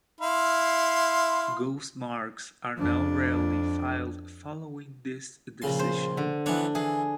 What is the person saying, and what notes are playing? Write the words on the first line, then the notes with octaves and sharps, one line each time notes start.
Ghost marks are now rarely filed following this decision.
E4 F5 C6
F2 D4
A#1 C#3 C6
C5
D3
E3 B3 D4 C#5
E3 G#4